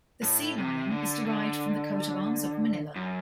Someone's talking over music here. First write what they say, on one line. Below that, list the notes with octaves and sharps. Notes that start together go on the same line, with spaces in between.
The Sea Lion is derived from the coat of arms of Manila.
A2
C3
D3
D3
F#2